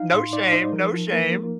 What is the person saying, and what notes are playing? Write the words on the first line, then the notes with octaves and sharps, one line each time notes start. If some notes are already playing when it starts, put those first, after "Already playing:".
No shame, no shame.
Already playing: D#4 F5
A2 C6
D#4 D5
D#4 C5
F3 A#4
F3
A#3 A#4
A#3